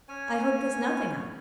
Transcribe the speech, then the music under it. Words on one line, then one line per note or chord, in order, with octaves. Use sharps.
I hope there's nothing up.
C#4 C#5 G#5